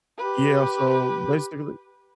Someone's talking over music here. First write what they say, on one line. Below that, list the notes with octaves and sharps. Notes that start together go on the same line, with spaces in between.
Yeah, so basically
G4 B4